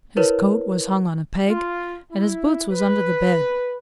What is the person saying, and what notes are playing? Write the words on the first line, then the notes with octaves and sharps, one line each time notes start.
His coat was hung on a peg, and his boots was under the bed.
E4 A#4 B4 C#5
F4
E4
B4